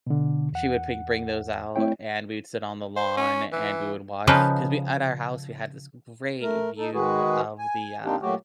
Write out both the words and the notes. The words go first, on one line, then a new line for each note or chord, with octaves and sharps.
She would ping bring those out and we'd sit on the lawn and we would watch 'cause we at our house, we had this great view of the, uh
B2 D3
E2 F#5
A3 C4 E4 C#5 G5
C5
C#4
E3
C#3 F3 D#4 B4
A3 A#4
D#4 A4
D#3 G#3 F#4 G#4 B4
G#5
A#3 C4 D4 D#4 G4
A#2 F#3 A3 F#4 G4